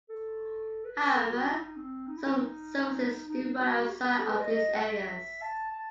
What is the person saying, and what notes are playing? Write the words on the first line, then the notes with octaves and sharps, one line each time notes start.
However, some services do run outside of these areas.
A4
B4
A4
F#4
D#4
C4
D#4
E4
C4
D#4
D#4
D#4
F#4
G4
A4
B4
D#5
D#5
F#5
E5
A5
A5